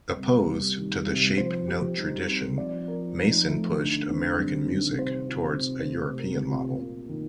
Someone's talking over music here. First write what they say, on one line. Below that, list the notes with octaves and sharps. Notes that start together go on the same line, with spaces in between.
Opposed to the shape-note tradition, Mason pushed American music towards a European model.
C3 G3
A#3
D#3
C3
F3 C5
G4
G3 D#4
C4
F3 D5
A#4
D#4
A3
D3 D#4
C4
G3
D#3
C3 C5
F4
C4
A3
A#4
F4
A#2 A#3
D#3